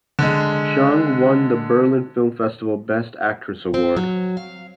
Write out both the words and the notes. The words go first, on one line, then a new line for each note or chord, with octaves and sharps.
Cheung won the Berlin Film Festival Best Actress award.
D3 G#3
C4
F#3
F5